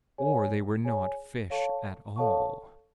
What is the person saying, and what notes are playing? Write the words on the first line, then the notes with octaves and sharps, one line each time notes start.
Or they were not fish at all.
G#4 C#5 G#5
G#4 C#5 G#5
A4 C#5 F5 A5 C#6
A4 C#5 F5 A5 C#6